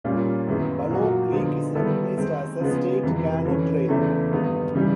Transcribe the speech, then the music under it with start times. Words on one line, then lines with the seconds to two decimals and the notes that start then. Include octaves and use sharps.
Bulow Creek is recognized as a State Canoe Trail.
0.04 A#2 G3 A#3 C#4 F4
0.47 F#2 D#3 G#3 B3 E4
0.90 A#2 F#3 A#3 D#4 F#4
1.32 D3 F3 G#3 B3 D#4
1.75 D#3 G3 B3 E4 A4
2.18 D#3 G#3 C4
2.60 C#3 F3 G#3 B3
3.03 F2 C3 E3
3.46 E3 A3 C#4
3.88 E2 C#3 E3 A3 C4
4.31 G2 D#3 G#3 B3 D#4
4.74 C#3 E3 G3